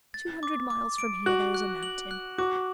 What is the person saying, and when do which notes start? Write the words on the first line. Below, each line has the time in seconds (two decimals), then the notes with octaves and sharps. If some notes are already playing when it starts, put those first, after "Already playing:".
Two hundred miles from here there is a mountain.
0.14 A6
0.43 D6
0.70 D6
0.98 D7
1.26 F#4 F#7
1.54 F#6
1.83 F#7
2.11 F#6
2.38 F#4 D6